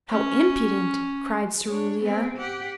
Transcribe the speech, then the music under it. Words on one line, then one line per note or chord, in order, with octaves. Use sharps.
"How impudent!" cried Cerulia.
C#4
D4 C#5
B3 C4
G4 F#5